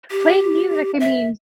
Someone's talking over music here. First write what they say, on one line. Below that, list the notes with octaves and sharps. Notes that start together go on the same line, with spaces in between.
playing music, I mean,
G4
E5